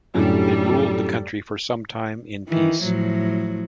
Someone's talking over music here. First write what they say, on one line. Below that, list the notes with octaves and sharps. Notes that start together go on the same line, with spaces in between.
They ruled the country for some time in peace.
F#2 A2 D3 G3 A4
D#3 E3
A2 F3 F#3